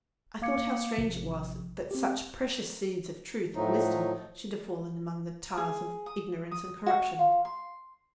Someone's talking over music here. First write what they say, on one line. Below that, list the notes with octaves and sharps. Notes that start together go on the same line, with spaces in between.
I thought how strange it was that such precious seeds of truth and wisdom should have fallen among the tares of ignorance and corruption.
A#3 F5 D6 G#6 C#7
A1 C3 F3
C4 G4
A2 F3 F#3 A3 D#4
G#4
D#6
D#6
F#4
F4
C6